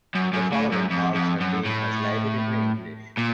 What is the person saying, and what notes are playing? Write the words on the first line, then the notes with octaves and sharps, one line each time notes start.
The following parts have been translated into English.
F#2
F#2
A2
F#2
F2
F2
F#2
A2
A#2